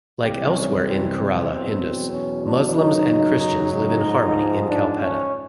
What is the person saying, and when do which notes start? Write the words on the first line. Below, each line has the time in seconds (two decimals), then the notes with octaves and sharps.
Like elsewhere in Kerala, Hindus, Muslims and Christians live in harmony in Kalpetta.
0.21 C2 C3 E3 G3 G4
0.53 C#4
0.85 C4
1.17 C4
1.48 E2 B2 F#3
2.12 C#4
2.45 D4
2.76 F#2 C#3 F#3 D#4
3.39 D#4
3.71 D#4
4.03 G#2 F3
4.67 D4
4.99 C#4